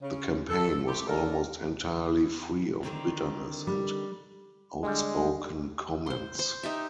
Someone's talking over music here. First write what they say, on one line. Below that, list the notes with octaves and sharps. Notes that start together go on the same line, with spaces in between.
The campaign was almost entirely free of bitterness and outspoken comments.
C#3
A4
A3 C4 G4
E3 D4 A4 A#4
D3 D#3 C4
G3
D3 G3 G#3
C5 C6
C5
D#4 G4 E5